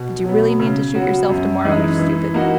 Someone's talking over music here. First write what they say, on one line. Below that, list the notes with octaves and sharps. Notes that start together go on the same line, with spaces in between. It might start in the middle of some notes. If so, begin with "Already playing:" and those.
Did you really mean to shoot yourself to-morrow, you stupid?
Already playing: B2
F#3 B3
C#3
F#3 B3 F#4
F#2
E3 G#3 D#4
E3
A#3 D#4 F#4